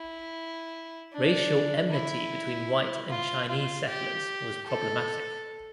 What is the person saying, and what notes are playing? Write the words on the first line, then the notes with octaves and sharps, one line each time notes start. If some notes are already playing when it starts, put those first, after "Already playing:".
Racial enmity between white and Chinese settlers was problematic.
Already playing: E4
D4
E4
F4
F4
G4
A4